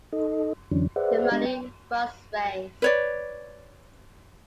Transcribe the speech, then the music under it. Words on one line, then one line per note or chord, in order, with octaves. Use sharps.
The money was raised.
D#4 A4 D#5
F2 D3 E3 F#3 C#4 D4
G#4 B4 C5 D5 E5 F#5
G#3 B3 D4 G4 D#5
G5
B4 C#5 D5